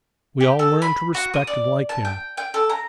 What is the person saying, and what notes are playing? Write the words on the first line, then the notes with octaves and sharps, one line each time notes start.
We all learned to respect and like him.
G4
A4
B5
F#4
D#6
D5
A5
G5
G5
A4
A#5